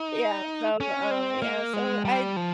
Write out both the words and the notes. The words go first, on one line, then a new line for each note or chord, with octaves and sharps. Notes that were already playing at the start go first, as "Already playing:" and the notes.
Yeah, so, um, yeah, so, I'd
Already playing: D#4
C#4
C4
A#3
G#3
G3
F3